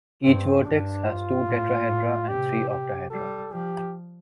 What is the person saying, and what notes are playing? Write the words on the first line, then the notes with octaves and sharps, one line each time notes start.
Each vertex has two tetrahedra and three octahedra.
G2 C4
G2 D4
F4
A2
A2
C3 G4
G4
G3 A4
F3 G4